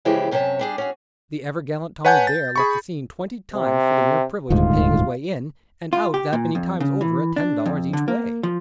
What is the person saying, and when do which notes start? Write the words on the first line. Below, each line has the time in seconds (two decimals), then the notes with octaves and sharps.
The ever gallant Tommy Dare left the scene twenty times for the mere privilege of paying his way in and out that many times over at ten dollars each way.
0.05 C#3 E3 F3 G#3 E4 G4
0.31 F#2 C3 C#4 D4 C#5 A5
0.59 G3 D4 G#4
0.78 C#4 F#4 G#4
2.05 B4 C#5 F#5 G#5 A5 G6
2.27 A6
2.56 G#4 B5 C#6
3.54 C3
4.50 D#1 D2 G#2 F4
5.93 F4
6.14 G4
6.33 A#2
6.55 F2
6.80 C#3
7.01 E3
7.36 D4
7.66 F2
7.93 D3
8.08 A#3
8.43 F3